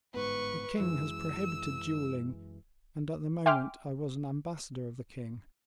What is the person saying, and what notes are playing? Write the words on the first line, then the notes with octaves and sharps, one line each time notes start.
"The king has prohibited duelling, and, at the moment, I was an ambassador of the king."
G1 G#2 B3 B4 C#6
F#2 E3 G#3 E6
E5 G5 G#5 C6 D6 F6